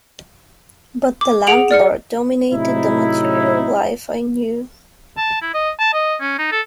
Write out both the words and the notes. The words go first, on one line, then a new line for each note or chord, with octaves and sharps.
But the landlord dominated the material life I knew.
D6
G#4 F#5 D7 F7 F#7
D5 F6 C#7
A2 C3 F#3 C4 D#4 E4
A5
E4
D#5
A5
D#5
C#4
D#4
A4